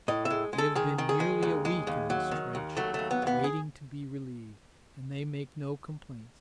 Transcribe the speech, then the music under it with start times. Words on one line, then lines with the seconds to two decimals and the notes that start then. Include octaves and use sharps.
They have been nearly a week in this trench, waiting to be relieved, and they make no complaints.
0.08 A2 D#5
0.25 E5
0.30 G#3
0.53 G#3
0.58 A4
0.75 D#3 G#4
0.98 D#3
1.09 G#4
1.20 G#3
1.43 D#2
1.65 G#3
1.87 D#2
2.10 F#3
2.31 D#3
2.55 D#2
2.77 F#3 A3
2.94 D#2 A3
3.11 B3
3.22 D#2 B3
3.44 G#4